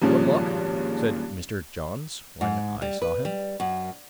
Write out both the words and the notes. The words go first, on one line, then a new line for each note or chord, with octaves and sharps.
"What luck?" said Mr, Johns when I saw him.
G#1 G2 A#2 C#3 F3 C#4
G#2
G3
B4
G3
F#2